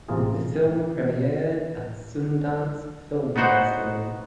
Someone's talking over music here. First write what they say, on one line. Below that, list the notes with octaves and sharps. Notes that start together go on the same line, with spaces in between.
The film premiered at Sundance Film Festival.
A1 C3 A#3 F4 G#4
B3 D#4 F#4 C5 F#5